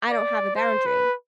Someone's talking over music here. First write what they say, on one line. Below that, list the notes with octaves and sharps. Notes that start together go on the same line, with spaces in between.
I don't have a boundary.
D5
C5
B4